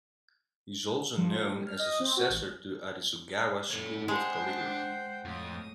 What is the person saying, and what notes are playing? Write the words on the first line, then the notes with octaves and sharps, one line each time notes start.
He is also known as a successor to Arisugawa school of calligraphy.
F3
G3
F6
D#5
C4
F#4
A1
F#2 A#2 A4 C#5
G#3 D4 C5 F#5 G5 A5
F2 A2 D#6